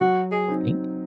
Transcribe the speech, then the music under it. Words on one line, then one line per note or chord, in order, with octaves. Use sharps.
You think.
F#3 F#4
G#4
C4 D#4